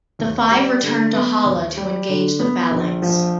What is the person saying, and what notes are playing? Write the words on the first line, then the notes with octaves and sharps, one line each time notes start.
The five return to Hala to engage the Phalanx.
D#2
G3
D3
B3
D#2
G3
D3
B3
A#1
F3